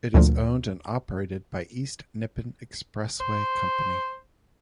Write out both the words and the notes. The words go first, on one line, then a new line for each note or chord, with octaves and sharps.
It is owned and operated by East Nippon Expressway Company.
D2 A#2 F3
C5